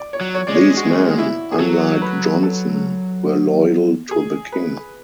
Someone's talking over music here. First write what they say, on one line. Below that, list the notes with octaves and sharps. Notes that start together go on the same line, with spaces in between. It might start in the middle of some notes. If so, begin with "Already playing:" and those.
These men, unlike Jonson, were loyal to the king.
Already playing: D5
C#5
F#3
C#5
G#3 D5
C#5
F#4
E4
G#4
F#3 A4
B4
A4
G#4
B4